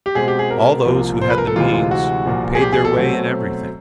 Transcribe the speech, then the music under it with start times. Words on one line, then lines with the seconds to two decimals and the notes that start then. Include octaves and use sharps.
All those who had the means paid their way in everything.
0.06 G4
0.15 B2 G#3 C4 G#4
0.28 G4
0.39 G#4
0.51 A#4
0.85 C2 C3 F3 A#3
1.21 C5
1.30 B4
1.38 A#4
1.47 A4
1.56 D2 C3 E3 G#3 F4
1.74 F4
1.91 F#4
2.26 C2 A#2 F3
2.55 G#4
2.61 G4
2.72 G#4
2.85 A4
2.96 B2 F#3 A3 C4